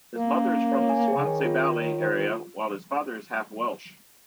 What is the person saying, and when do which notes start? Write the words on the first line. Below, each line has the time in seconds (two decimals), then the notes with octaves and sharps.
His mother is from the Swansea Valley area while his father is half Welsh.
0.16 A#3 A#4
0.34 C#4
0.53 C#4
0.72 C#5
0.90 G#5
1.08 G#4
1.17 C#3
1.26 D#3 C#5
1.45 F4
1.62 F4
1.82 C#5
2.00 F4